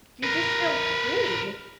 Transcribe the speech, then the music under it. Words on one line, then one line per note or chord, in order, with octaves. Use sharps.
You just feel free.
A#4 B4